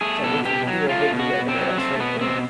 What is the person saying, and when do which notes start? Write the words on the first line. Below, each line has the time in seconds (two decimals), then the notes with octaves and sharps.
So, which would you do, or would you rather go that straight through?
0.01 A3 G#4
0.23 B2 A4
0.45 B2 G4
0.67 F#3
0.89 A3 F4
1.12 B2
1.19 F#4
1.33 B2
1.48 C4
1.55 F#3
1.78 A3 C4
1.99 B2 B3
2.21 B2 C4